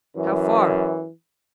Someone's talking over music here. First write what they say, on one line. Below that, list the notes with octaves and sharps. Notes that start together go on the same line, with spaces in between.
"How far?"
F#2 E3